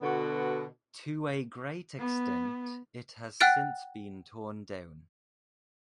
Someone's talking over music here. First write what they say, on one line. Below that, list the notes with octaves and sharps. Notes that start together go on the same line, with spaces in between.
To a great extent, it has since been torn down.
B2 D3 B3 F#4
B3
F#5 G5 F6 F#6 A6 D7